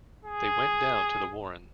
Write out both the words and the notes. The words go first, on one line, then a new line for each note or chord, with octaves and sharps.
They went down to the warren.
G#4